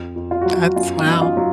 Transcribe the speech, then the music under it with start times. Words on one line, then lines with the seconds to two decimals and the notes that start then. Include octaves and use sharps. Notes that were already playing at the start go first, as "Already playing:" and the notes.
That's wow.
Already playing: F2
0.16 F2
0.31 F4
0.41 F#3 F#4
0.53 F4
0.76 F#2 F4
0.99 D#4
1.06 F#2
1.11 D#4
1.22 F4
1.37 F#3